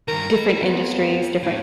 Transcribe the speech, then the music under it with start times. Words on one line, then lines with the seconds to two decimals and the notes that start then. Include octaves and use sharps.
different industries, different
0.08 G2 D#3 A#4
0.30 D#5 B5
0.62 F2 B3
1.43 A2